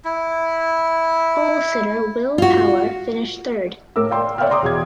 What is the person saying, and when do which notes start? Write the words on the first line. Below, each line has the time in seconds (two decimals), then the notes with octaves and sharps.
Polesitter Will Power finished third.
0.05 E4
2.38 F4 F#4
3.96 A2 A#4 D6 E6
4.10 D5 F5 G5 C6
4.38 C#5 D5 E5 F5 G5 F6
4.50 G5 A#5 C6 D6 D#6
4.62 E2 B2 G#6